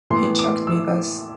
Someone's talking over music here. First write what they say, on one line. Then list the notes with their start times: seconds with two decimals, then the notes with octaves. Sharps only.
He chucked me this.
0.10 A2 E3 B3 C6
0.39 D6
0.67 E6